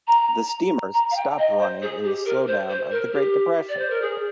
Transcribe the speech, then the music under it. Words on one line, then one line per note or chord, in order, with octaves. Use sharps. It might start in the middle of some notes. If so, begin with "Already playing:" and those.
The Steamers stopped running in the slow down of the Great Depression.
A#5
A#5
F5
G5
D#5
C5
G#4
G4
A#4
C5
C5
A#4
G4
D5
C5
A#4
G#4